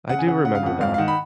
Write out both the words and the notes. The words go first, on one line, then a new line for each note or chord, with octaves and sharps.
I do remember that.
C#3 F#5
G#5
C#3 F#5
C#3 F#5
F5
F2 F#5
G#2 F5
F5
D#3 F#5
B5